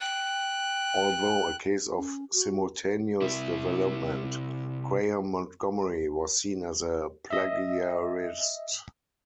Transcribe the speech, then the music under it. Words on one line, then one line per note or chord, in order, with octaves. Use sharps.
Although a case of simultaneous development, Graham-Montgomery was seen as a plagiarist.
G5 F#6
C#4
F#4
C3 E4
D#5 E5